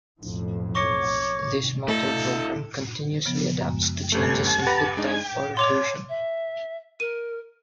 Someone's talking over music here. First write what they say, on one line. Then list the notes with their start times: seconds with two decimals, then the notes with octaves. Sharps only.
This motor program continuously adapts to changes in food type or occlusion.
0.20 B1 F2 A2
0.75 C#5 C#6 D6 A#6 C#7
1.88 A3 E4 A4 D#5
3.25 C#3 F3 B3
3.61 F#2 G#3
4.12 G1 A3 C#4 G4 A4
4.67 G4 B4 F#5 B5
4.97 G#3 D4 D#4
5.57 C#5 C6 D6 F7
6.09 E5
7.00 A#4 D#7